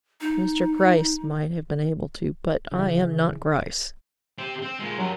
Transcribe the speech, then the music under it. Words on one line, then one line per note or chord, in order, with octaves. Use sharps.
Mr. Gryce might have been able to, but I am not Gryce.
D#4
C#3 E3
C4 G4
C4
A#2 G#3
G2 F#3 A#4